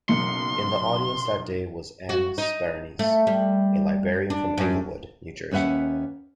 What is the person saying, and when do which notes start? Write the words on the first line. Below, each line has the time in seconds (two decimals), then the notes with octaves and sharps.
In the audience that day was Ann Sparanese, a librarian from Englewood, New Jersey.
0.09 F#1 B1 C6 C#7
2.09 F#4
2.38 D#4
2.99 A3
3.27 G3
4.30 D4
4.58 F#2
5.51 D#2 C#4 B4 E5 F#5